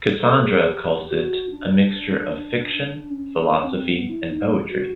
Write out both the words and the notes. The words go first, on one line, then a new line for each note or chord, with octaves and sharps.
Cassandra calls it "a mixture of fiction, philosophy and poetry".
A4
G#4
G4
F#4
D4
C#4
D4
C4
B3
E4
D#4
F#4